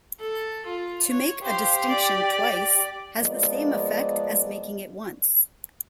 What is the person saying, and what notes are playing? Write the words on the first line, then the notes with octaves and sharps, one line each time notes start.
To make a distinction twice has the same effect as making it once.
A4
F4
C#5
G4 C5 F5
D5
F3 G#3 A#3 B3 D5 D#5